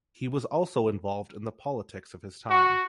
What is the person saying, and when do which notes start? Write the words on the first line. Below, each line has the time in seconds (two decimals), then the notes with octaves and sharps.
He was also involved in the politics of his time.
2.49 F#4